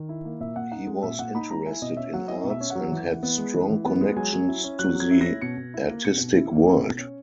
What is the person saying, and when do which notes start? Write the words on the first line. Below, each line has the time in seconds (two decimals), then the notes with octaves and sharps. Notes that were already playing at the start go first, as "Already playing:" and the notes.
He was interested in arts, and had strong connections to the artistic world.
Already playing: D#3
0.09 E4
0.25 A#3
0.40 A#2 E5
0.56 A#2 F#5
0.71 D#4 F#5
0.87 G#3
1.03 A#2 E5
1.19 A#2 F#5
1.35 D#4 B5
1.50 G#3 A#5
1.66 E4 G#5
1.82 B2 D#5
1.97 C#4 E5
2.13 F#3 F#5
2.28 E4 D#5
2.44 B2
2.50 E5
2.61 C#4
2.70 F#5
2.75 F#3
2.92 E3
3.08 E3
3.23 B3
3.38 G#3
3.54 E3
3.70 E3
3.85 B3
4.01 G#3
4.17 F#3 G#5
4.33 F#3
4.48 E4
4.64 C#4
4.79 F#3 F#6
4.95 F#3
5.00 G#6
5.11 E4
5.21 A#6
5.27 C#4
5.42 B2 C#7
5.57 B2
5.74 E4
5.89 A#3
6.04 B2 C#7
6.21 B2
6.36 E4
6.51 A#3
6.68 E4
6.84 B2
6.98 C#4